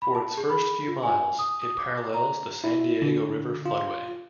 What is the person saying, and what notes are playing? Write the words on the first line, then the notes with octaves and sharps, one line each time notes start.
For its first few miles, it parallels the San Diego River floodway.
B5
A5
G#4
B5
F4
G#5
D#6
D#6
D6
A#5
E4
D3
F4